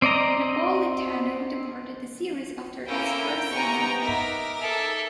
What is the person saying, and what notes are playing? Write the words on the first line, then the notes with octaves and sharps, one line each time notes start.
Napolitano departed the series after its first season.
C4 D5 D#5 A#5
A#3 C#4 E4 A4 G5 A#5
C3 B3 G#5 A#5 C#6
D#4 A#4 E5 D6
G#4 A4 E5